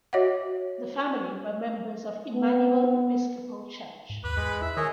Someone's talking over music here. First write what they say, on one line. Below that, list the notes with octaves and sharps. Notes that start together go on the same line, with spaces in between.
The family were members of Immanuel Episcopal Church.
F#4 C#5 D#5 E5 F#5
B3
G#2
D#2 B4 D6
E2 G#3 G#4 B5
E4 E5
D#3 G#4 A#4 C#5 D#5 G#5